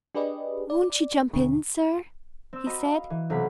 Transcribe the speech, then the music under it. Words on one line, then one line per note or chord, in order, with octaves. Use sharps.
"Won't you jump in, sir?" he said.
D4 G4 G#4 B4 D5 D#5
D5
D#2 B2 D3
C4 E6
F#4 D#5 A#5 B5
F5
E3
B1 C3 F5 F#5 B5 B6